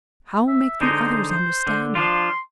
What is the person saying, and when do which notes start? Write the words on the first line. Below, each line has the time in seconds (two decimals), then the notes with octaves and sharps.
How make the others understand it?
0.48 E5
0.81 D3 G#3 D#4 C5
1.30 C5
1.67 D3
1.95 F3 D4 F4 C6